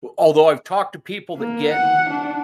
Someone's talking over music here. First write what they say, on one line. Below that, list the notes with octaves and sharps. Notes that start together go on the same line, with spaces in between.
although I've talked to people that get
A#3
F#5
D4